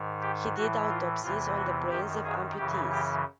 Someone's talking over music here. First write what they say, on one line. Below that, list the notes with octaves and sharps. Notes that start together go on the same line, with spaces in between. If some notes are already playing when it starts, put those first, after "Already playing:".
He did autopsies on the brains of amputees.
Already playing: G#2 D#3
G4
A2 E3 F#4
F4
E2 C3 E3 F4
F#4
F#2 D#3 G4
G#4
F#2 C#3 E3 G4
G4